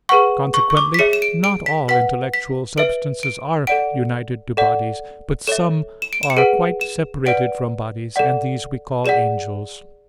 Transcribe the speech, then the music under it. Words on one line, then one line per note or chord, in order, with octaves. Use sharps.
Consequently not all intellectual substances are united to bodies; but some are quite separated from bodies, and these we call angels.
G#4 B4 F#5 C#6
C#6
C#6
D6
B6
G#4 C#5 E5 C#7
E7
D7
D7
B6
B4 F#5 B6
B6
B4 E5 D7
D7
A4 D5 F#5 D7
A4 D5 F#5
A4 C#5 E5 E7
E7
D7
E7
C#7
G#4 B4 F#5 D7
E7
B4 D5 F#5 D7
A4 D5 F#5
G#4 D5 F#5 E7